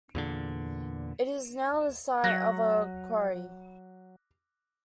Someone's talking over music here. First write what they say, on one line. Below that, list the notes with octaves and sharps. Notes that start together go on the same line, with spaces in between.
It is now the site of a quarry.
E2 A#2 D3
F#3 F#6 A#6